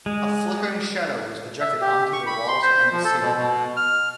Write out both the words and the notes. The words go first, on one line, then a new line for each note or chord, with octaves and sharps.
A flickering shadow was projected onto the walls and the ceiling.
G#3
E5
G4
C#6
B5
C6
C5
F3
A4
B2
B2
F6